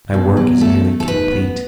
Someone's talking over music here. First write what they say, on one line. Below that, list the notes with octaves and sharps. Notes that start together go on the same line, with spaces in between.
My work is nearly complete.
B2
F#3
A3 A4
A3
A4
D#4 B4
B3